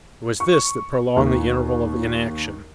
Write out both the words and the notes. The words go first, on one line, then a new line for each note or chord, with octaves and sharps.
It was this that prolonged the interval of inaction.
C#6
D#2